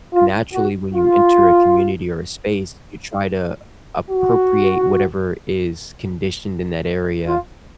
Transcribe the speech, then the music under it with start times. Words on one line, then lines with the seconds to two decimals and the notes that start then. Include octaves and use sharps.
naturally when you enter a community or a space, you try to appropriate whatever is conditioned in that area,
0.13 F4
0.53 F#4
0.93 F4
4.11 F#4
7.27 F4